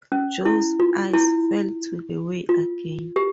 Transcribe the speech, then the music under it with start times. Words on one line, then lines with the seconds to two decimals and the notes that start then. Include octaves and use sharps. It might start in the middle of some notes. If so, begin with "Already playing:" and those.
Joe’s eyes fell to the way again.
0.12 C#4
0.45 E4
0.80 F4
1.13 E4
2.49 F4
3.16 G4